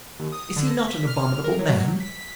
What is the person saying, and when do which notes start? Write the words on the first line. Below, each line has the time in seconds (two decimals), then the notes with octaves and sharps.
Is he not an abominable man?
0.19 D#2
0.32 D#6
0.56 D3
0.70 A#6
0.88 B6
1.07 F6
1.44 A#4
1.59 F#3
2.00 B6